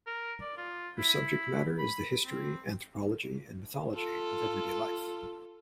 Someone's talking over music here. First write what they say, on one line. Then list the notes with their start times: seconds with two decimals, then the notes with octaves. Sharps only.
Her subject matter is the history, anthropology, and mythology of everyday life.
0.07 A#4
0.41 D5
0.58 F4
0.98 E4
1.79 B5
2.25 C4
3.93 F4 A4